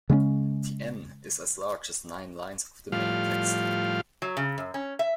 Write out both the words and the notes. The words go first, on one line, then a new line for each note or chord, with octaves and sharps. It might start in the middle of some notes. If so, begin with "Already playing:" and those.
The N is as large as nine lines of the main text.
C#3 G#3 B3 C#4
A2 F3 G3 F4 F5
F#3
C#3
F#2
C#4
E5